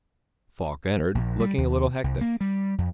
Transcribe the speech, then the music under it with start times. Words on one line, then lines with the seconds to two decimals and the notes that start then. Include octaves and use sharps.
Falk entered, looking a little hectic.
1.15 A#1
1.40 G3
1.58 D#2
2.04 C2
2.21 A#3
2.41 G3
2.78 F2